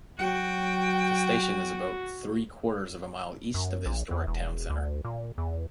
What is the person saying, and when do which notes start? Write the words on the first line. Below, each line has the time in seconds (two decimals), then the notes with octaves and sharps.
The station is about three-quarters of a mile east of the historic town centre.
0.19 F#3 F#4 G5
3.54 F#2
3.86 A#1
4.11 E2
4.27 E1
4.70 D2
5.05 A#2
5.38 E2